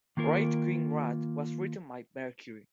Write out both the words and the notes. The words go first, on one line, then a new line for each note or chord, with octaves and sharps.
"Great King Rat" was written by Mercury.
D#3 A#3 F4 A#4